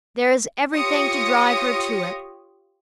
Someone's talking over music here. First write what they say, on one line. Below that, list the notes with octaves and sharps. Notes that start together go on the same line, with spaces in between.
There is everything to drive her to it.
F4 G4 C#5 D#6 A#6 C#7